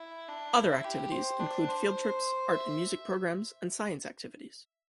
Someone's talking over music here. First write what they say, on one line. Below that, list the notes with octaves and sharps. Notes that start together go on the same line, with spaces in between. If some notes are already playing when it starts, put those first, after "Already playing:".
Other activities include field trips, art and music programs, and science activities.
Already playing: E4
D4
E4
G4
C5
D4
C5
E5